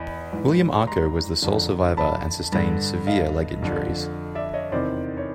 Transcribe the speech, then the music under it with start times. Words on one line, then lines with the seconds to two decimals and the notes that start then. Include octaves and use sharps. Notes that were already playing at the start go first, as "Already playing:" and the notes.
William Arko was the sole survivor and sustained severe leg injuries.
Already playing: E2 D#5 B5
0.33 G#2 E3
0.87 A#5 C6
1.42 F2 D3
1.97 A5 B5
2.52 G2 D3
3.07 D#5 F5
3.62 F2 D3
4.35 D5 E5
4.54 C#5 D#5
4.72 E2 C3 D#3 C5 D5
5.17 C#5